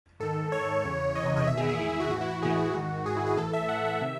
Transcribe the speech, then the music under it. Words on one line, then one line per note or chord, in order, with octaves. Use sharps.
My name is death!
G#2 D#3 A4
G#2 D#3 C#5
E2 C#3 E3
E2 C#3 E3 D#5
C#5
D#5
E2 D#3 E5
G#4
G#4
E2 D#3 E4
E4
F#4
A2 E3 F#4
E4
F#4
A2 E3 G#4
F#4
G#2 D#3
G#2 D#3 G#4
E4
G#4
A2 E3 A4
E5
A2 E3 F#5
E5
C3 D#3